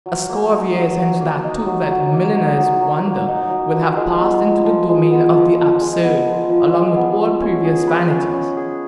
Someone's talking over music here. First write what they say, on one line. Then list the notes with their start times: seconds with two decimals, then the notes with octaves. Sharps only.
A score of years hence that too, that milliner's wonder, will have passed into the domain of the absurd, along with all previous vanities.
0.06 F#3
0.29 A#3
0.52 D#4
0.75 F#3
0.98 F#3
1.20 A#3
1.44 D#4
1.66 F#3
1.90 F#3
2.13 A#3
2.36 D#4
2.58 F#3
2.81 F#3
3.05 A#3
3.28 D#4
3.50 F#3
3.74 F3
3.96 G#3
4.19 B3
4.43 F3
4.65 F3
4.89 G#3
5.11 B3
5.35 F3
5.58 F3
5.81 G#3
6.03 B3
6.26 F3
6.50 F3
6.73 G#3
6.96 B3
7.19 F3
7.41 C#4
7.65 G#4
7.87 B4
8.10 C#4
8.34 C#4
8.57 G#4